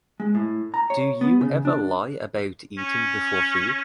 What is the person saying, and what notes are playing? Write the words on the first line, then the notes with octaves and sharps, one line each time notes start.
Do you ever lie about eating before food?
G#3
A2
A#5
C#5
B3
C#3
D4
C#4